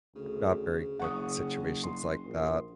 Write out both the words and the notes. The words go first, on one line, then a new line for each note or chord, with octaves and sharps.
not very good at situations like that
D2 C#3
F#1 C#3 F#5 C#6 D#6
C6
A#1